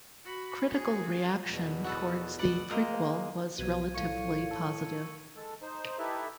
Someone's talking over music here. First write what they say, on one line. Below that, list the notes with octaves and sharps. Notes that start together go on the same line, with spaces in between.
Critical reaction towards the prequel was relatively positive.
F#4 B5
F#4 G#4
E2 B2
F#4 A4 B4
B4 D5 F#5
G#3 A#3 A#4 C5 D#5
B1 B2 F#3 G#6 D#7
A2 F5 C#6 C#7
A5 E6
G#3 A4
D#4 C5
D#4 E4 G4 A4 B4 E5